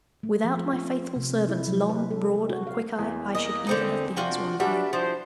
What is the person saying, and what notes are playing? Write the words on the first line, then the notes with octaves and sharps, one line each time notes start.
Without my faithful servants, Long, Broad, and Quickeye, I should even have been as one of you.'
A3
F3
F4
C3
E4
F#3
B4
A4
G#3
F#4
F5
E2
A#3 D#5
D3 C4 D#4
C3 D4 F4 F#4 G5
G3 B3 D4 F#4 E5 F#5 G#5
F3 D4 E4 C5